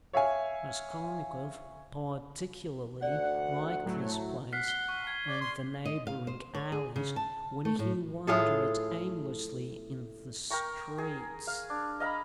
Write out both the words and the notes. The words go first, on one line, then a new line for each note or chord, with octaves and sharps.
Raskolnikov particularly liked this place and the neighbouring alleys, when he wandered aimlessly in the streets.
C#5 E5 F5 G#5
D2 D5 F#5
A2 F#3 A3
F#5 F6 B6 C7
G7
C#6
G#6
D5
C6
D#5
F5
C5
C#5
G#4
C#3
A5
A3
A2
A2 F4 G#4 A4
A#4 G5 A#5 C#6
G#4
F5
D4
D#5 F5 A#5 B5